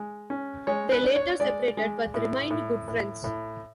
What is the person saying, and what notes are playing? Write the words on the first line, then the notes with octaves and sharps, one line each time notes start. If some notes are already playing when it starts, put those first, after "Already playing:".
They later separated but remained good friends.
Already playing: G#3
C#4
G#3 C#5
B4
D4
C#5
G#3 D5
G#3
A2
A2
A2
A2